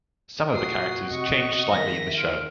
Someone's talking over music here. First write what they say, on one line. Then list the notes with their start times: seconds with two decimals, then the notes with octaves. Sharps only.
Some of the characters changed slightly in the show.
0.54 A#2 F#4 D#6 C7
1.11 C3 D#5 C#6
1.72 D#3 G#3 B3 E5 A#6
2.17 F4 F6 D7